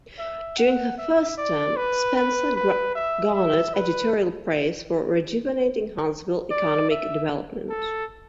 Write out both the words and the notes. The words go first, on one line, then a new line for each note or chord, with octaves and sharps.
During her first term, Spencer garnered editorial praise for rejuvenating Huntsville's economic development.
E5
F#5
E5
D5
B4
B4
B4
E5
E5
B4
D5
E5
A4